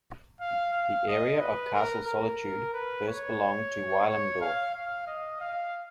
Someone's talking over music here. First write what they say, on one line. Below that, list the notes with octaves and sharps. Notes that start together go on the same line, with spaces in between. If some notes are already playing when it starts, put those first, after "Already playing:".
The area of Castle Solitude first belonged to Weilimdorf.
F5
F5
D#5
B4
A#4
A#4
B4
C#5
C#5
F5
F5
D#5
F5